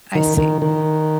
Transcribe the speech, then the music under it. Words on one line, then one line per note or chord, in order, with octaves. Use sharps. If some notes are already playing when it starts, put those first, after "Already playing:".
I see.
D#3
D#3
D#3